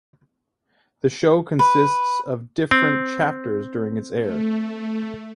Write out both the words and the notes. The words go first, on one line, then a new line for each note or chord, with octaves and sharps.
The show consists of different chapters during its air.
B4
C4
A3